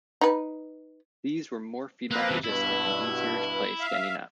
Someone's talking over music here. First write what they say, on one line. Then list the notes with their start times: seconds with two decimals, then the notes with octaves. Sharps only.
These were more feedback resistant and easier to play standing up.
0.21 D#4 B4
2.11 F3 A#3 C4 B4
2.29 C3 E3
2.44 G2 B2 E4
3.80 E5 F5